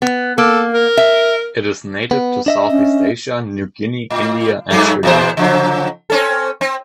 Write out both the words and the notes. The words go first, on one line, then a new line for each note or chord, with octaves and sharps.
It is native to Southeast Asia, New Guinea, India, and Sri Lanka.
B3
A#3 A4
A#4
E5
B3
D4 D#5 E5
C#4
A2
G2 F#3 A3
E2 A#2 C5
C#3 F3 F#3
C4 C#4 A4
C4